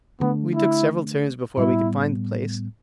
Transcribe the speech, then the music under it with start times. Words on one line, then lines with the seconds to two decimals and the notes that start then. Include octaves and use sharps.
We took several turns before we could find the place.
0.20 D2 D3 A3 B3 D4
0.55 E4
1.57 A2 G3 B3 E4